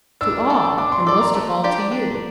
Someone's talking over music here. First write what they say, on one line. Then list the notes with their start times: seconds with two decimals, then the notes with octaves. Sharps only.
"To all, and most of all to you."
0.21 D4 E6
0.49 A4 D5
0.78 D4 D6
0.92 C6
1.07 A4 D5 D6
1.21 A#5
1.35 A3
1.64 D4 G4 D5
1.91 D4